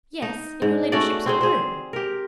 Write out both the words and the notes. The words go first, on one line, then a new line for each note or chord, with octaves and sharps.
"Yes, in your ladyship's own room."
D#4
G#2
A3 C#4 F#4 D5
C4 G#4 C5
G#4 C5
G4 A#4